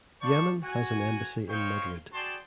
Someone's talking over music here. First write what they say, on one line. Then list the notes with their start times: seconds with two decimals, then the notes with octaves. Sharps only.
Yemen has an embassy in Madrid.
0.21 C5 D5 F5 A5 C#6
0.63 F#4 G#5
1.49 D#4 C5 C#5 F5 G5 C#6
2.13 F#4 G#4 D5 G5 A5 C6